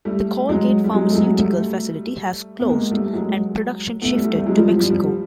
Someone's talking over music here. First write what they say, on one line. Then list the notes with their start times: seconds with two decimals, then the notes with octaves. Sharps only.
The Colgate pharmaceutical facility has closed and production shifted to Mexico.
0.05 G3 A3
0.49 F#3 G#3
0.84 G3
0.93 F#3 G#3
1.10 A3
1.15 F#3 G#3
1.37 G3 A3
2.60 B3
2.69 G#3 A#3
2.91 G3 A3
3.13 F#3 G#3
4.02 A3 B3
4.13 G3 A3
4.24 G3 A3
4.35 G3 A3
4.46 F#3 G#3
4.57 F3 G3
4.68 F3
4.79 F3 G3
4.90 F3 G3